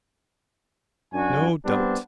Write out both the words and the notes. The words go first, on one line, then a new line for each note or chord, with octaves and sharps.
No doubt.
F#2 D4 F#4 G#5
G3 B3 C4 D4